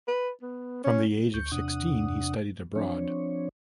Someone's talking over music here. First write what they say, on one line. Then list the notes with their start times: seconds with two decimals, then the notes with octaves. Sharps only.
From the age of sixteen he studied abroad.
0.08 B4
0.42 B3
0.84 C#4
1.34 D2 C#6 G6
1.52 E2 C3 D4 F#5 D#6
2.75 F3 C4 D4 C#5